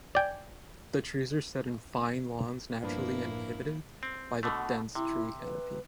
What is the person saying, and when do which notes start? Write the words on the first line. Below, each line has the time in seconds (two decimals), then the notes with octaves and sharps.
The trees are set in fine lawns naturally inhibited by the dense tree canopy.
0.15 D5 G5 G#5
2.83 G2 F3 A#3 B3 D4 E4 B4
4.03 C4
4.43 B2 D3 A3 F#5
4.95 C3 E4
5.40 B4